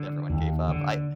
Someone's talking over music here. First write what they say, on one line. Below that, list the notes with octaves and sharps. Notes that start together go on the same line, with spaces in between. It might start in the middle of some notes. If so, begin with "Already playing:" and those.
everyone gave up. I
Already playing: D3 D4
D#2
D3